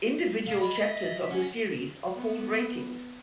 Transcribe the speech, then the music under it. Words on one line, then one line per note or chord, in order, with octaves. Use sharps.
Individual chapters of the series are called ratings.
B1 G2 F5
A#4 D#5 B5
D#5 E5
C#4 F#5
B3